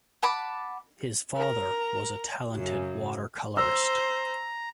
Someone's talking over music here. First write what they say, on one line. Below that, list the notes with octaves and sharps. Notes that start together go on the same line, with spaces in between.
His father was a talented water-colourist.
F#5 A5 B5 D6
A#4 A#5
F#2 C#3 F#3
C5 A#5 E6